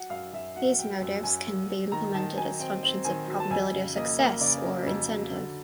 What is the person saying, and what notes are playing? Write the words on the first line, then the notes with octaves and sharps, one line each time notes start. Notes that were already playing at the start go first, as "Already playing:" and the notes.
These motives can be implemented as functions of probability of success or incentive.
Already playing: F#3 F#5
F#2 F5
F#2 E5
F#3 F#5
F#3 G5
F#2
F#2 G#5
F#2
F#3
D#3 A#5
D#3 A5
F#3 G#5
C4 G5
C4
D#3 G#5
F#3
A5
F2 G#5
C#3
A#3 D#5
A#3
C#3 D5
F#3
F2
F#3
D3